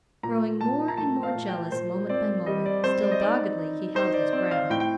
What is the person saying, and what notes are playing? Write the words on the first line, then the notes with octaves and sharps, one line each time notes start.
Growing more and more jealous moment by moment, still doggedly he held his ground.
A#2 A#5
A#2 A5
A#5
A3 A5
F5
A#2
G5
A#2 C5
C4 D5
G3 D#5
D5
C4 C5
D5
D#5
D#4 D5
D#4
D#4 C5
D5
C4 D5
F5
A2 G5
G5